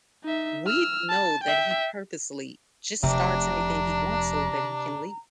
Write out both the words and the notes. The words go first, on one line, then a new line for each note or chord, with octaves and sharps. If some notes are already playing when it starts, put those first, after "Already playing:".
we know that he purposely just starts anything he wants so that he can leave.
D#4 E5
E6 F6
A5
E5 G5
F1 C3 D4 A#5